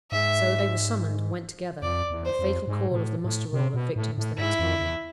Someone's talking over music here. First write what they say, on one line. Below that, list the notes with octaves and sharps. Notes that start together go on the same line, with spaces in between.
So, they were summoned and went together, at the fatal call of the muster-roll of victims the next morning.
G#2 E5
F2 D5
E2
C5
F2
G#2
B2
A2
A2
C3
B2
A2
A2
G#2 E4
F2
E2